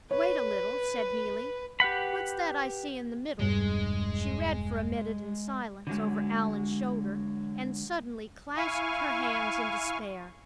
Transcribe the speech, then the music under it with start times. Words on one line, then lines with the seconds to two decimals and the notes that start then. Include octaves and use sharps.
"Wait a little," said Neelie; "what's that I see in the middle?" She read for a minute in silence, over Allan's shoulder, and suddenly clasped her hands in despair.
0.11 B4 C#5
1.80 G4 B4 F#5 B5
3.39 E1 G2 G#3
5.87 D3 F#3 G#3
8.57 E4 F5 G#5 C#6